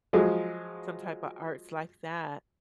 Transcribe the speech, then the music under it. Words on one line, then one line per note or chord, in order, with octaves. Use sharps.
some type of arts like that.
F3 F#3 G#3